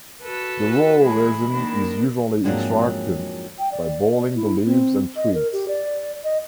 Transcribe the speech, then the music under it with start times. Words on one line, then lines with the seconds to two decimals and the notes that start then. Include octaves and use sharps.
The raw resin is usually extracted by boiling the leaves and twigs.
0.22 F#4 A4 B4
1.02 E3 G#3 G#4 B5
1.50 D#3 A#3 D4
2.44 F2 G#2 F#3 G#3 A#3 D4
3.59 G5
3.72 D5
4.35 E4
4.65 C4
5.16 D#5
5.34 A#4
5.53 G4
5.68 D5
6.24 D#5